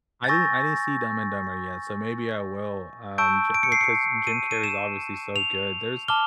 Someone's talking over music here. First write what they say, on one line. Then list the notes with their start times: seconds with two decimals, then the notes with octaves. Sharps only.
I didn I didn't see Dumb and Dumber yet, so maybe I will, um, cha because Jim Carrey's obviously so good. There's
0.24 A6
0.28 G#5 C#6 E6 G6 A#6
3.18 A5 C#6 E6 G6 D7
3.54 D7
3.63 C#7
3.72 C7
3.81 C#7
4.27 D#7
4.51 D#7
4.64 E7
5.36 F7
6.08 A5 D6 F6 G7